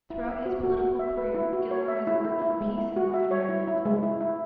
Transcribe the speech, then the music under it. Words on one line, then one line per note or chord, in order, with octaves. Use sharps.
Throughout his political career, Gilmore has worked for peace in Northern Ireland.
E4
E5
F#4
F#4
F#4
E5
B4
E4
F#4
C#5
E5
E4
E4
E4
G#3
E4
F#4
E5
C#5
E4
E4
G#3
E4
E4